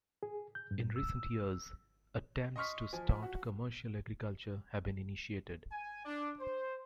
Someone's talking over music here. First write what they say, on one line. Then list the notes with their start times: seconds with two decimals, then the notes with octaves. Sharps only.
In recent years, attempts to start commercial agriculture have been initiated.
0.23 G#4
0.55 G6
0.71 G2
0.96 E6
2.56 D#5 C6 C#6 F6 B6
2.93 F3 G#5
3.23 F#4
5.72 G#5
6.05 D4
6.40 C5